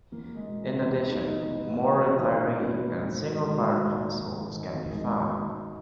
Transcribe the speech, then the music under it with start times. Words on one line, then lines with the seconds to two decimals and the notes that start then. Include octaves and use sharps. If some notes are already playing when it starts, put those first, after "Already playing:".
In addition, more retiree and single parent households can be found.
0.12 E2 A#3
0.35 G#3
0.47 B2
0.80 E2 B3
1.04 D#4
1.15 B2
1.26 D#4
1.49 E2 B3
1.83 B2
1.94 C#4
2.17 E2 D#4
2.40 C#4
2.52 B2
2.62 B3
2.85 G#2 A#3
3.08 F#3
3.20 D#3
3.31 G#3
3.54 G#2 F#3
3.87 D#3
4.22 G#2
4.56 D#3
4.90 G#2 G#3
5.25 D#3